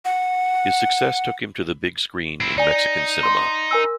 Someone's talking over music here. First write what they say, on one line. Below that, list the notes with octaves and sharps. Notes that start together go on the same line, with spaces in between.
His success took him to the big screen in Mexican Cinema.
F#5
C4 E4
D#4 D5 G#5
C6
A#4 G#5 E6